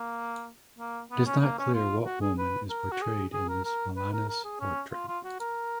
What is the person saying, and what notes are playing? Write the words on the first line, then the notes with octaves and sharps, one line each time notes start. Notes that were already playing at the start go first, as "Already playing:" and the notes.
It is not clear what woman is portrayed in this Milanese portrait.
Already playing: A#3
A#3
B3
C#4
A#3
C#4
F4
F#4
G#4
B4
A#4
F#4
G#4
G#4
A#4
A#4
B4
A#4
A#4
G#4
C#4
F4
F4
F#4
A#4